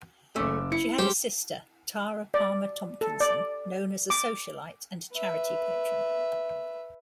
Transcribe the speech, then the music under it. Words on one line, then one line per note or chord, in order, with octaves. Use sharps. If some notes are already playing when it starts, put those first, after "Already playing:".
She had a sister, Tara Palmer-Tomkinson, known as a "socialite" and charity patron.
F#1 A3 C#4 D6 E6
E4 C#7
G3 G#3 G4 C5
D5
A4
D5
D6
B4 E5